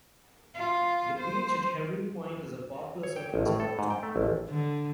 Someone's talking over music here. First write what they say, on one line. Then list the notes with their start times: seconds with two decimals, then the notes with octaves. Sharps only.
The beach at Herring Point is a popular surfing spot.
0.55 F4
1.19 C5
3.03 C#5
3.16 G5
3.34 A1
3.46 A2
3.60 A4
3.79 G#2
3.90 G5
4.03 A3
4.16 A1
4.49 D3